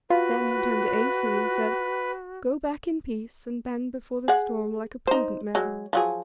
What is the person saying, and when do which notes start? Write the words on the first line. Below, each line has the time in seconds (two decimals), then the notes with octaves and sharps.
Then he turned to AEson, and said, 'Go back in peace, and bend before the storm like a prudent man.
0.10 F4 F#4 B4
4.28 G#4 F#5
5.07 D#4 C5
5.55 F#3 G#3
5.93 F3 F#3 G#4